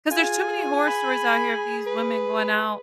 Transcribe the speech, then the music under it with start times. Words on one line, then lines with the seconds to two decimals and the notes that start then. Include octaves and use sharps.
cause there's too many horror stories out here of these women going out,
0.11 F4 G#4 G#5
0.88 B5
1.86 B4